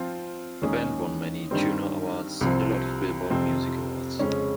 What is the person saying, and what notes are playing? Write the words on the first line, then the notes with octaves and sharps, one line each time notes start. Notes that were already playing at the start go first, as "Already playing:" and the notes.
The band won many Juno Awards and a lot of Billboard Music Awards.
Already playing: F3 C4 F4
D#2 D#3 G#3 C#4 G#4
G2 D#3 G3 C4
C2 C3 F3
F2 C3 F3 C4
F2 C#3 G#3 C#4